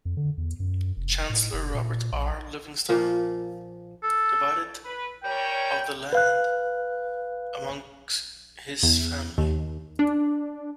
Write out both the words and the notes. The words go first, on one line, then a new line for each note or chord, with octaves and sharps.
Chancellor Robert R. Livingston divided of the land among his family.
F2
D3
E2
F#2
F1
A2
F#1
A#2
A#1
A#2 F3 A#3
A4
B4
G3 A#4 C#5 G5
B4 F5 F#6
E2
D#2
D4